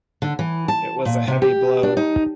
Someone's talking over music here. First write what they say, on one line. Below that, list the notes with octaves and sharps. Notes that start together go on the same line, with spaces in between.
It was a heavy blow.
D3
E3
A5
A#2
C3
G4
D4
D#4